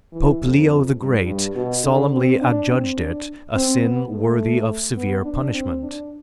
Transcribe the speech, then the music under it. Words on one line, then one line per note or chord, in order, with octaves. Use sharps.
Pope Leo the Great solemnly adjudged it a sin worthy of severe punishment.
E3
F2
G2
G2
B2
D3
C4
D4
C4
D4
C4
B3
A3
B3
D4
C4
D4